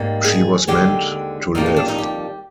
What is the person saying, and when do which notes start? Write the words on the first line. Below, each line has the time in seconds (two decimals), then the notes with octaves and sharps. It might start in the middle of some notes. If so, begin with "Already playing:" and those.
She was meant to live.
Already playing: G#2 G3 A#3
0.25 G#4
0.67 D#2 D3 G#3 C4 G4
1.55 F2 D#3 G3 A#3 D#4
1.66 D#4
1.76 D4
1.88 D#4
1.98 G4